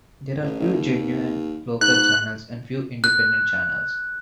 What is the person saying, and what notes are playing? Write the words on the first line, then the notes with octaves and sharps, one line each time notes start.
There are few genuine local channels and few independent channels.
A1
A1
D#2
G#2 F#6
F#6